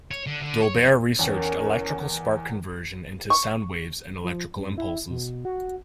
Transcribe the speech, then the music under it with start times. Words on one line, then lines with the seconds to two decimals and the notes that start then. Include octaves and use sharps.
Dolbear researched electrical spark conversion into sound waves and electrical impulses.
0.11 C#5
0.27 D3
0.42 D3
0.62 C#5
0.78 B1 F2
1.19 E2 D#3 C#4
3.30 C#6
4.24 F3
4.56 F#2
4.78 E4
5.10 B2
5.45 F#4